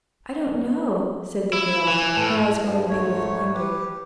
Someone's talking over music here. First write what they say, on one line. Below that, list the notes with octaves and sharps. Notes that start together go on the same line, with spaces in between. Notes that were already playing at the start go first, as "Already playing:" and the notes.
"I don't know," said the girl, her eyes growing big with wonder.
E4
E3
A2
G2 F3
G#2 A3 C#5
G4 B4